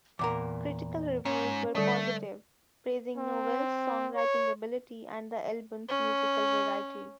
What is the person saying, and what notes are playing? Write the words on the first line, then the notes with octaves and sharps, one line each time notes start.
Critical reviews were positive, praising Nowell's songwriting ability and the album's musical variety.
E2 A#2 A#4 D6
G#2 C#4
D3 G3 A3 D5
C4
C#5
C#4